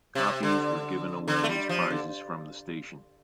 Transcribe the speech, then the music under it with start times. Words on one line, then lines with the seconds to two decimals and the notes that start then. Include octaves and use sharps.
Copies were given away as prizes from the station.
0.15 C3
0.43 D3
1.28 D3
1.43 A3
1.49 G3
1.69 F3
1.90 D3